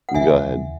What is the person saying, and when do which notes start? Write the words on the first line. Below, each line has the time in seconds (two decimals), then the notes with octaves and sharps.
Go ahead.
0.09 F#5
0.14 D#2 C#3 E3 E5 G#5